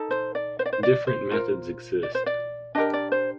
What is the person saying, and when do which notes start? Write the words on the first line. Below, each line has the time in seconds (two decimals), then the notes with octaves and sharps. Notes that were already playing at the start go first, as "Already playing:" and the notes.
Different methods exist.
Already playing: D#4 A4
0.11 C5
0.35 D5
0.59 C5
0.66 D5
0.73 C5
0.83 D5
1.07 C5
1.31 F4 A#4
2.03 D5
2.15 C5
2.26 D5
2.75 D4 G4 A#4 D#5
2.94 D5
3.12 C5